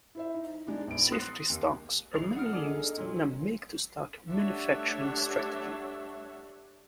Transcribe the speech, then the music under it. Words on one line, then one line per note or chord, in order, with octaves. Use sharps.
Safety stocks are mainly used in a "Make To Stock" manufacturing strategy.
E4 C5 E5
D#4
G#3 D4 D#4
A#1 B3 D7
C6 D#6 F#6 A#6 C7 C#7
D#2
A#1 C7 F7
F#5 D#6 F6
A#3 D4 G#4 A4 D5
D#4 G#4
A#2 F#3
G3 A3 D4 C#5 E5 F#5